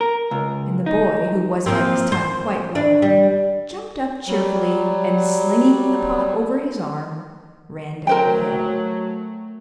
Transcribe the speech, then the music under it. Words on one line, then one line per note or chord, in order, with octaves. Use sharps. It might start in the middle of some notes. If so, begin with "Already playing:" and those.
And the boy, who was by this time quite warm, jumped up cheerfully, and slinging the pot over his arm, ran down the hill.
A#4
C#2
D#4
F3 A#3 C4
C5
D4
G3
F#3 G3
F#3 A3 A#4 C5 G5